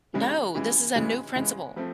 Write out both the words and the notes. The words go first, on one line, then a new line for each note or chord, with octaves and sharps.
No, this is a new principal.
C#3 E3 G#3
C#3 E3 G#3
C#3 E3 G#3
C#3 E3 G#3
F3 A3 C4